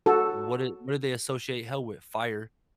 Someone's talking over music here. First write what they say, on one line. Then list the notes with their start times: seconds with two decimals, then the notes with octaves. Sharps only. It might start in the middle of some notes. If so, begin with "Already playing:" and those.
what i what they what associate hell with? Fire.
0.06 F#4 A4